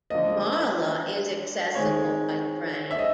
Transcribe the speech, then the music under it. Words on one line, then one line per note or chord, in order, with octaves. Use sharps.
Marla is accessible by train.
D3 F3 A#3 D#5
D#3 G#3 C4 C#5
E5
D#5